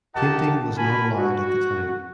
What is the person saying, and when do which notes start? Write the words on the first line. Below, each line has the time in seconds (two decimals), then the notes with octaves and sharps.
Painting was not allowed at the time.
0.15 F4 G4 A#4 D#5 F#5 A5
0.76 F#4 A#4 G#5 A5 B5
1.17 F#4